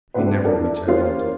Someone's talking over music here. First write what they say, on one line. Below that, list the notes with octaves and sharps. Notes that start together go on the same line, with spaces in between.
He never returned.
A3 C4 D4 F#4 B4 C5
D4 A4 A#4 D5 E5
E3 A#3 C#4 F4 G4 C5